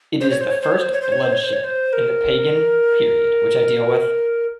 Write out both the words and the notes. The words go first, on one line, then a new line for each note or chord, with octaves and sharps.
It is the first blood shed in the pagan period which I deal with.
C5
C#5
C5
C#5
C5
C#5
C5
C#5
C5
C#5
C5
C#5
C5
C#5
C5
A#4